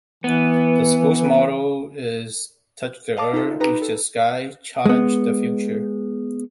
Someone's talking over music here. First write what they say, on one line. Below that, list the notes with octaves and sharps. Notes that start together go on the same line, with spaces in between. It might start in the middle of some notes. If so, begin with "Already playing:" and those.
The school's motto is 'Touch the earth, reach the sky, challenge the future'.
E3 B3
D#5 F5 A5 D6
D#4 F4 A4
D#4 G4 B4 A#5
A4
G#3 B3